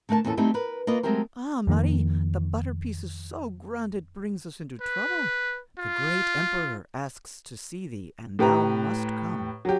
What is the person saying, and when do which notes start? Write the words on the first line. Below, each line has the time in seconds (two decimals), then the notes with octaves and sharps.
"Ah, Marie! the butter-piece is so grand, it brings us into trouble. The great Emperor asks to see thee, and thou must come!"
0.09 D3 A3 A#4 F#5 A5
0.25 E2 A#2 C#4 E4 A4
0.37 G3 A3 C4 D#4 E4 G4
0.54 A#4 B4
0.87 A#3 F4 B4 D#5
1.03 F#3 G#3 A3 C4 G4 A#4
1.67 F2 D#3 A#3
4.81 B4
5.79 F4
8.39 A2 G4 B4 A#5
9.65 F#3 G4